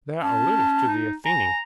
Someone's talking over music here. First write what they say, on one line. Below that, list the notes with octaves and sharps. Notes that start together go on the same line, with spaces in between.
'Thou alludest to the Athenian.
C#4 A5
D#4
G#5 A#5